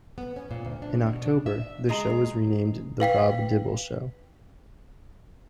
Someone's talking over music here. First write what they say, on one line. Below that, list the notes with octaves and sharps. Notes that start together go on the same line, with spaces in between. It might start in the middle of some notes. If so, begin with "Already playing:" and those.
In October, the show was renamed "The Rob Dibble Show".
B3
C#4
A#2
D2
D4
B2
D4
E5
G#3 G#4 A#5
B4 F5 G5 B6